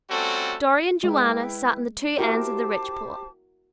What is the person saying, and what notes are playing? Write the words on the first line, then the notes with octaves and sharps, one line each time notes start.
Dorry and Joanna sat on the two ends of the ridge-pole.
G3 A3 C4 C#4 F#4 A4
G#3 E4 B4 G5
E4 F#4 G4 A#4 C5 A5 D6